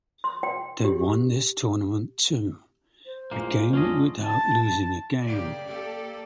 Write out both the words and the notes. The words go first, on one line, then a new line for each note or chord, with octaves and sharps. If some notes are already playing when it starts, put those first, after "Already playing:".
They won this tournament too, again without losing a game.
C6
G5
G4
C5
A1 A#2 G#3 A#3 C7
A#1 F2 G#2 C#4 D4 F4 D#5
A5
C#3 A#3 G4 D5
A#3 G4 A4